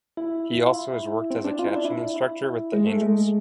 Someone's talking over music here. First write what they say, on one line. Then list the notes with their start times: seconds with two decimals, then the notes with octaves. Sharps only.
He also has worked as a catching instructor with the Angels.
0.17 E4
0.67 F4
0.74 E4
1.30 C4
1.44 D4
1.59 F4
1.67 E4
1.76 D4
1.85 E4
2.16 E4
2.73 G#3
2.86 A3
3.01 G#3